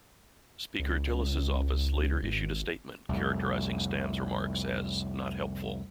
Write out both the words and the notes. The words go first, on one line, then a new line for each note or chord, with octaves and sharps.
Speaker Tillis' office later issued a statement characterizing Stam's remarks as "not helpful".
C#2
G#1
C2 F2 A2